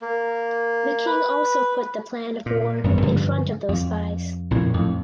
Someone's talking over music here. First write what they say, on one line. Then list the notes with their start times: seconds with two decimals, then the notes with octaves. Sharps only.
The king also put the plan of war in front of those spies.
0.02 A#3
1.06 B4
2.46 A#2
2.84 G#1 F#2 B3 C#4
3.02 G2 D3 F3
3.68 F2
4.51 A#1 F2 A2
4.74 F2 A2